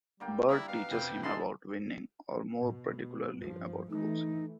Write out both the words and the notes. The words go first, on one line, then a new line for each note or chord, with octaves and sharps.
Bert teaches him about winning, or more particularly about losing.
D3 G3 A#3 G5
E4 B4 A#5
B2 F5
F2 C3 G5
D4 D#4 G#4 D#5 E5 A5 B5 C6
B2
G2 F3
E3 A3 D#4